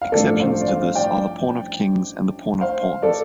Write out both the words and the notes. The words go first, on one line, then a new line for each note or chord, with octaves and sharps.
Exceptions to this are the Pawn of Kings and Pawn of Pawns.
F5
A1 G2 F3 A3 C4 A4 D5
C5 F5
D5
C5 F5
D5 G5
C5 F5
A4 D5